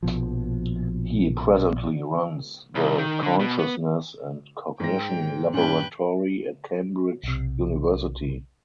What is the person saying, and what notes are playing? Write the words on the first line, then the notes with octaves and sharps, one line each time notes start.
He presently runs the Consciousness and Cognition Laboratory at Cambridge University.
A#1 B2 F3
C2
D#3
D3
B2
B3
G#2 G5 A#6
G2 A#2 C#4 B4 G5 F#6
B1 C3